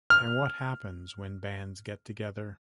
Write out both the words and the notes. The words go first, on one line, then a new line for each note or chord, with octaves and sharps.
And what happens when bands get together?
F6